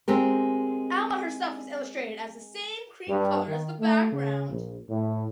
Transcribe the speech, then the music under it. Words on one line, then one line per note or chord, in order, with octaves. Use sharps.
Alma herself is illustrated as the same cream color as the background.
G#3 C4 G4 A#4
G2
D#3
A3
C#3
A#1
A2